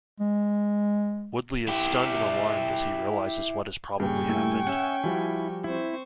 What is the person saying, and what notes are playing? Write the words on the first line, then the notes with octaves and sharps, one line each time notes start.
Woodley is stunned and alarmed as he realizes what has probably happened.
G#3
E4 G4
G2 A#2 C#3 G5 G#5 C#6
A3 E4
C#4 E5 F#5
F3 G3 E4 F#4
C4 E4 C5 C#6